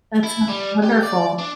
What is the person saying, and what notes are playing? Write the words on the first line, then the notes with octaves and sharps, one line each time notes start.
That's sounds wonderful.
E4
G3
G4
D5
D4